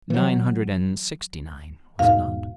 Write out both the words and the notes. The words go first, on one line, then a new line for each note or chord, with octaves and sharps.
"Nine hundred and sixty-nine, was it not?" I asked.
E3 F#3
E2 G#2 B2 F5